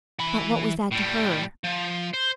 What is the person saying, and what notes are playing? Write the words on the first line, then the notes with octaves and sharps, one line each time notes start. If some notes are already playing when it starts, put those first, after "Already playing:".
But what was that to her?
E3 B5
A2 G3
F3
C5